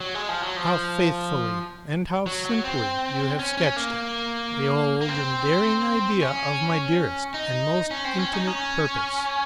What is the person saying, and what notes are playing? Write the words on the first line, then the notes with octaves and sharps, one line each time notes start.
How faithfully and how simply you have sketched it, the old and daring idea of my dearest and most intimate purpose!
F#3
G#3
F3
F#3
F3
F#3
F#3
C4
C#4
C#4
A#3
A#3
C4
C#4
D#4
C#4
C4
C#4
D#4
C#4